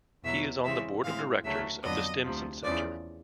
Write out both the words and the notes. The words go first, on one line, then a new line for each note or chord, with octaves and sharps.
He is on the Board of Directors of The Stimson Center.
E2 B2 F#3 E5
C#3 E3 G#3 C4 E5
A2 E3 G#3 C4 F5
D2 C#3 F#3 A3 E5
F2 D3 F#3 B3 D4 D#5
D2 C3 F3
E2 C#3 F3 D5